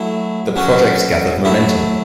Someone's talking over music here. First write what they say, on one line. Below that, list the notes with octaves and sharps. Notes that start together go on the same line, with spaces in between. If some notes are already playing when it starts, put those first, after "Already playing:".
The project gathered momentum.
Already playing: F#3 A3 E4
F#3 C#4 F#4
F#3 A3 E4